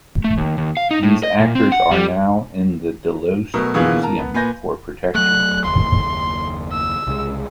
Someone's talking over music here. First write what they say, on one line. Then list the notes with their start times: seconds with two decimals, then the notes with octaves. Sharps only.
These actors are now in the Delos Museum for protection.
0.24 A3
0.38 D#2
0.58 D#2
0.77 F5
0.91 D#4
1.03 A2
1.23 D#5
1.40 A#2
1.55 C4
1.72 F#5
1.91 G3
3.54 B2 F#3 A3 A#4
3.74 B2 D3 E3 A#3 F4 G#4
4.03 A#4 A5 A#5
4.19 B3
4.34 A#2 B4 G#5 G6 A#6
5.15 F#3 A3 F#6
5.65 F#1 D#2 C6
6.72 E6
7.07 C2 C#3 G#3